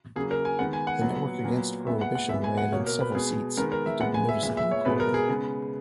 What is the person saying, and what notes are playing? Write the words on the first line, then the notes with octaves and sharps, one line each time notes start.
The Network Against Prohibition ran in several seats, but did noticeably poorly.
C#3 F#3 A#3 G#4
A#4
G#5
D#3 G#3 B3 F#5
G#5
F#5
A#2 F#3 B3
A#2 F#3 B3
A#2 G#3 B3 E5
F#5
F#5
A#2 G#3 B3 E5
G#5
F#5
B2 A#3 C#5
A#4
B4
B2 G#3 B3 G#4
D#3 G#3 B3 A#4
A#4
E5
A#2 G#3 B3 F#5
G#5
E5
A#2 G#3 B3 E5
E5
C#5
B2 G#3 B3 B4
A#4
G#4
C#3 G#3 B3